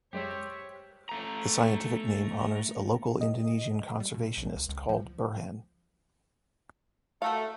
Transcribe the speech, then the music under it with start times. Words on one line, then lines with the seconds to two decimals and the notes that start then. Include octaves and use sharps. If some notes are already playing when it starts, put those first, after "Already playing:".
The scientific name honours a local Indonesian conservationist called Burhan.
0.13 F#2 G3 G#3 G4 C5 C#5 E5
1.09 A3 A#5
3.21 D#5
4.00 G3
4.14 B2
4.37 B1
4.56 C#2
4.69 C#2
4.89 F3
7.22 A3 F#4 A#4 F5